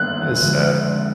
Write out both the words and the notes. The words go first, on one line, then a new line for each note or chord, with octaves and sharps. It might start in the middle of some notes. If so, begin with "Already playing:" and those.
That is sad.
Already playing: D#3 G3 B3 F#6
D3 F3 G#3